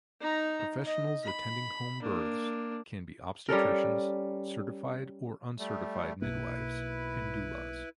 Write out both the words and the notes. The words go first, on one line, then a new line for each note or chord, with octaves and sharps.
Professionals attending home births can be obstetricians, certified or uncertified midwives, and doulas.
D#4 A#5
D#5
B5
A#3 D4
G3 C#4 A4 A#4
G3 A3
B1 B2 A#3 E4 B4